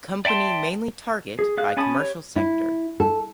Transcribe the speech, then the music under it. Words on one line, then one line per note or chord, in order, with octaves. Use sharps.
Company mainly target by commercial sector.
D5 E5 G5 A5 C6
G#4
G#4 F5 F#6
C#4 G#5 A5 B5 D#6
G4 C#5
E4
A4